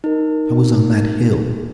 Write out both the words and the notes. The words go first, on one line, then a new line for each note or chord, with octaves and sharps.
"I was on that hill."
D#4 A#4